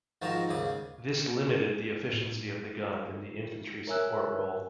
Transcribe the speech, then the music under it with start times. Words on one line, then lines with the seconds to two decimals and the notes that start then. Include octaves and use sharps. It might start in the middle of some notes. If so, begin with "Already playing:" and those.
This limited the efficiency of the gun in the infantry support role.
0.22 G#2 D#3 F3 F#4 A5 A#5
0.49 D#2 G#2 C#3 D6 D#6
2.13 A2
3.87 A#4 C#5 E5 G#5 E6 F#6